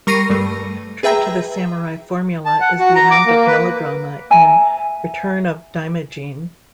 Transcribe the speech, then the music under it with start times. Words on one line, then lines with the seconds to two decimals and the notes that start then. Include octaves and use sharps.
True to the samurai formula is the amount of melodrama in "Return of Daimajin".
0.07 G3 A#4 C#6 A#6 C7 D#7
0.30 G2 G3 A3
1.03 G#4 B4 E5 G5 A#5
2.45 A5
2.61 F#5
2.79 F#4
2.95 A#5
3.11 D6
3.26 A#3
3.47 B4
4.30 E5 G#5 A#5